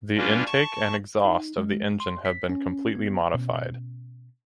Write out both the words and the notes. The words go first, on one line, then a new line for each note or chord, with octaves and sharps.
The intake and exhaust of the engine have been completely modified.
G3 A#3 C#4 D4 F4 B4
A5 C#6
D#4
G#3
C6
B6
C#4
B3
B2 C#4